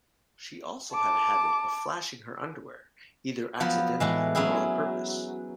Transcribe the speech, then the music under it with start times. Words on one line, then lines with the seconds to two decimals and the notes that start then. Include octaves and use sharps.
She also had a habit of flashing her underwear either accidentally or on purpose.
0.93 A5 D6
3.60 F3 F#3 B3
4.00 A2 E3 G#3
4.35 F#3 C#4 E4 G#4